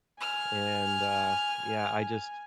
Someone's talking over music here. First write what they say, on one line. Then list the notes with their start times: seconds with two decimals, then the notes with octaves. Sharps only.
and uh, yeah, I just
0.21 G#5 F6